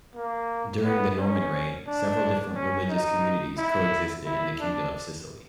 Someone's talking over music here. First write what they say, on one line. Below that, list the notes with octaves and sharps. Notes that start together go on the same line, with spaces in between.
During the Norman reign, several different religious communities coexisted in the Kingdom of Sicily.
A#3
B3
C#4
D4
C#4
D#4
E4
E4
D4